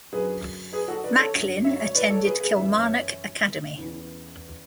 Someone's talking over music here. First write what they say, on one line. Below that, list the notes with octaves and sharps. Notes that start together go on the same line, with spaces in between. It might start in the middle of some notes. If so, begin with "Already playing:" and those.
Macklin attended Kilmarnock Academy.
F#2 D3 F#3 G#4 B4
G#4 B4
F#4 A4
B4 D5
A4 C#5
F#2 D3 F#3
C#5 E5
C#5 E5
B4 D5
A4 C#5
G#4 B4
G#4 B4
F#2 E3 E5
C#5 E5
E2 C#3 E3